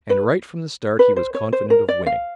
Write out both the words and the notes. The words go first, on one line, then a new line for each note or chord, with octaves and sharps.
And right from the start he was confident of winning.
B4
B4
C5
C#5
C5
A#4
D5
F5